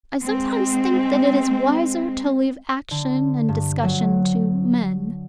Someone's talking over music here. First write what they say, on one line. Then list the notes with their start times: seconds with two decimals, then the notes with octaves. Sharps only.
"I sometimes think that it is wiser to leave action and discussion to men."
0.23 G#3 C4
2.91 D3
3.49 G2
3.83 F#3